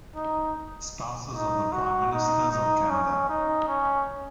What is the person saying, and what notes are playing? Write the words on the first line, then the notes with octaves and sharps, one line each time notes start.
Spouses of the Prime Ministers of Canada.
D#4
D#4
F#4
D#4
D#4
C#4
D#4
C#4